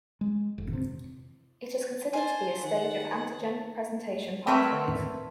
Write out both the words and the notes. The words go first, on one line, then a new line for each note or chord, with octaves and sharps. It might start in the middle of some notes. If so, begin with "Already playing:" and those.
It is considered to be a stage of antigen presentation pathways.
G#3
F1
C3
C5 G#5 A5
D#3 F#5
A3 C4 A#4 B4 C#5 E5